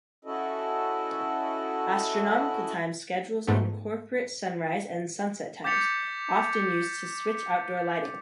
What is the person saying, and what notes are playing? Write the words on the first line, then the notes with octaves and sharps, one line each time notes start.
Astronomical time schedules incorporate sunrise and sunset times, often used to switch outdoor lighting.
C#4 E4 F#4 A4 D#5
G#2 A3 B3
D6 G6 A6 B6 C#7 F7